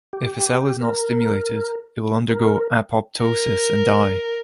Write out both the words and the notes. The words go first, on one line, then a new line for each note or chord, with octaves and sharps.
If a cell is not stimulated, it will undergo apoptosis and die.
G4
A#4
A#4
A#4